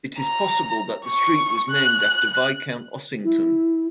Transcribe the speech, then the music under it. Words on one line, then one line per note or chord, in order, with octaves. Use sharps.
It is possible that the street was named after Viscount Ossington.
A#5
C#6
F#6
E4